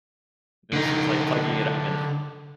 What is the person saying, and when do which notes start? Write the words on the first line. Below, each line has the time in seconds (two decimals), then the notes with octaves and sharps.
this is like plugging it up and h
0.73 D3 D#4